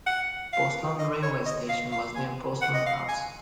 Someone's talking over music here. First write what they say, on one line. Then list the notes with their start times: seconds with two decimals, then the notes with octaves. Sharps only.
Postland railway station was near Postland House.
0.06 F#5
0.53 F5
0.99 D#5
1.23 C#5
1.46 D#5
1.69 F5
1.92 F5
2.15 G#5
2.62 F#5
2.74 D#5
2.86 F5
3.09 G#5